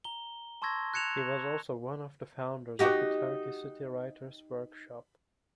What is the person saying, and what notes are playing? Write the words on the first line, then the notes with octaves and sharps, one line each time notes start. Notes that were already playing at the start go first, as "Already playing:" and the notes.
He was also one of the founders of the Turkey City Writer's Workshop.
A#5 G7
A5 C6 C#6 E6 G#6 A#6
F#6 G#6 C#7 E7 F7
D#4 F#4 G4